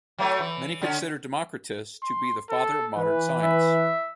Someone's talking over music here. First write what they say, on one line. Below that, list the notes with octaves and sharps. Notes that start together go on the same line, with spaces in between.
Many consider Democritus to be the "father of modern science".
F#3 A3 C#5
E3
D3 C#4
C6
A4
E3 B4
E5